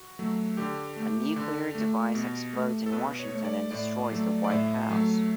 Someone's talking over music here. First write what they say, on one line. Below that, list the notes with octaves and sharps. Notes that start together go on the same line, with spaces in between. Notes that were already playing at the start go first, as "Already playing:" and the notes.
A nuclear device explodes in Washington and destroys the White House.
Already playing: F#4
F#3 A3
D3 G4
A3
D3
A3
B2
A3
A4
B2 B4
C#5
A3 C#5
D5
A2 D5
F#3 A3
D5
A2 E5
F#3 A3